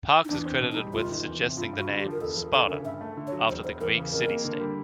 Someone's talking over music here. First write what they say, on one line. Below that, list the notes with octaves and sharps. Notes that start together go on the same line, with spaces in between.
Parks is credited with suggesting the name "Sparta", after the Greek city-state.
D#4
E2 D4
C4
B2
D#4
G3
F#1 F4
D#3
E2
C3
G2 F4
G2 F#4
D3
G4
F3
A#4
E1 A4
F3 A4
D2 A4
C#3 A#4
G2 E5
A3
D3
C#5
F#3
E1 C5
E1 C5
E2 A#4
C#3
F2 A#4
A#3
D3
G3